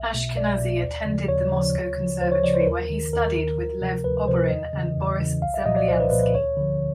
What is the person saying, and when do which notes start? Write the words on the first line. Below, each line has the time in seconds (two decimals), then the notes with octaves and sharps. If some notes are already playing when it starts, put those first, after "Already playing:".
Ashkenazy attended the Moscow Conservatory where he studied with Lev Oborin and Boris Zemliansky.
Already playing: B1 E5
0.14 B2
0.36 B1 D5
0.59 B2
0.83 D#2
1.06 C#3 F3
1.28 D#2 C#5
1.52 C#3 F3
1.75 D2
1.98 C#3 F3
2.20 D2 C5
2.32 C#5
2.43 C#3 F3 D5
2.55 C5
2.61 B4
2.67 D#2 A#4
2.90 D#3
3.13 D#2 A#4
3.36 D#3
3.58 D2
3.81 C3 F3
4.04 D2 B4
4.28 C3 F3 C5
4.50 E2 D#5
4.74 C#3 E3
4.97 E2
5.19 C#3 E3
5.42 C2 F5
5.54 E5
5.65 A#2 F3 D#5
5.76 D5
5.88 C2 C5
6.00 B4
6.11 A#2 F3 B4
6.23 B4
6.35 D2 C#5
6.57 D3 F3